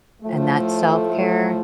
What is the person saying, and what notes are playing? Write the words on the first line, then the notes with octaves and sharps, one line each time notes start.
and that's self-care,
A2 F3 A3